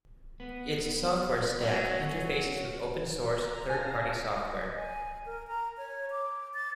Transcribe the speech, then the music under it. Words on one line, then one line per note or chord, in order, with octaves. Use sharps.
Its software stack interfaces with open source third-party software.
B3
F#3 C#4
A#5
F5 G#5 A5 A#6
D#5
G#5
A#4
A#5
C#5
D6
A6